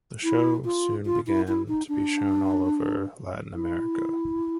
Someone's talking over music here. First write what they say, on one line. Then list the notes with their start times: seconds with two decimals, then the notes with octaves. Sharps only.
The show soon began to be shown all over Latin America.
0.24 E4
0.65 F4
1.06 F4
1.27 E4
1.48 E4
1.68 D#4
1.89 D4
3.55 E4